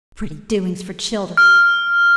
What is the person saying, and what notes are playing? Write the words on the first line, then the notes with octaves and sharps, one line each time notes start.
Pretty doings for children.
F6